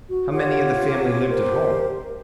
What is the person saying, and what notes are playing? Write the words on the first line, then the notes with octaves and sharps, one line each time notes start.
"How many of the family lived at home?"
F#4
F4 G4 C#5 F#5
G4 A#4 C5